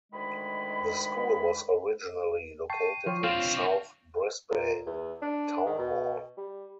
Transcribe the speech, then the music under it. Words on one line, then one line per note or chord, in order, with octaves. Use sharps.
The school was originally located in South Brisbane Town Hall.
D2 D#3 G#3 B5
G5 A5 C#6 C7 D#7
F3 C#5 G5 C#6
C4 D4 F4 F6 F7
A#2
E2
D4
D#3
B2
G3